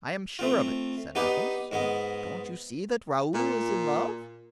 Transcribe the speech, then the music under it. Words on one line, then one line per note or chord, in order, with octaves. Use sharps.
"I am sure of it," said Athos; "don't you see that Raoul is in love?"
A3 C4 F4
B3 D#4 G4 B4 D5
G#2 G#3 B3
A#2